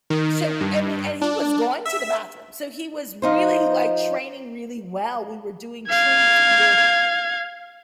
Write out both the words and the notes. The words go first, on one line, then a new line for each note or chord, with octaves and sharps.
so, I mean, and he was going to the bathroom, so he was really, like, training really well, we were doing treats we're
D#3
G2
D4
E5
F3 D#4 C5
F5 G#6